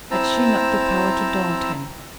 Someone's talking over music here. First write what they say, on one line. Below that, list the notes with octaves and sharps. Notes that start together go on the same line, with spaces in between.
Had she not the power to daunt him?
C4 E4 C5 A5 A#5 E6